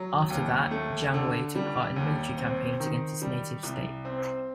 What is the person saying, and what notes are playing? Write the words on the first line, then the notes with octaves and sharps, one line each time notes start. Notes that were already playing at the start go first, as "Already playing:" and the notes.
After that, Jiang Wei took part in military campaigns against his native state.
Already playing: F#3
D#2
A3
D3
G3
D#2
C4
D#3
G3
C2
C4